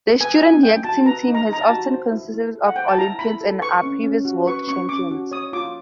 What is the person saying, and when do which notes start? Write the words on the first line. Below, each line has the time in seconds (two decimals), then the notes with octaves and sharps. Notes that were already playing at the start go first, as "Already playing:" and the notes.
The student yachting team has often consisted of Olympians and are previous world champions.
0.21 B4 G#5
0.42 D#4 G#5
0.63 D#4 G5
0.84 F#4 A5
1.05 B4 A#5
1.28 D#4
1.35 A#5
1.49 D#4 A#5
1.62 A5
1.70 F#4
1.91 C5
2.12 E4
2.34 E4
2.55 A4
2.66 F#5
2.76 C5 G5
2.88 A5
2.98 E4 A#5
3.19 E4 B5
3.41 A4
3.61 B4 C#6
3.83 C#4
4.04 C#4
4.25 F#4
4.46 B4 C#6
4.68 C#4 C#6
4.89 C#4 D6
5.11 F#4
5.31 C#5 D#6
5.53 F4 D6